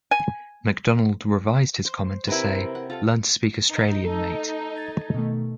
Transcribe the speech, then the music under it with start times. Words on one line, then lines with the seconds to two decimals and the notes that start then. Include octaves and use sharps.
Macdonald revised his comment to say "learn to speak Australian, mate".
0.11 G#5
1.85 C5
2.28 C3 E4 A#4 B4 G#5
2.75 F#5
2.90 F4 A4
3.71 D#4
4.04 A4
4.76 G#6 A6
5.14 B2 D#3 A3